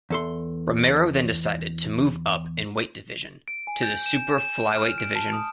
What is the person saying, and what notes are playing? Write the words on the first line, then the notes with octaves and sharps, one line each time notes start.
Romero then decided to move up in weight division, to the Super Flyweight division.
E2 A4 C6
D7
G#5
G6
E7
E7
F6
D7
A5
D#6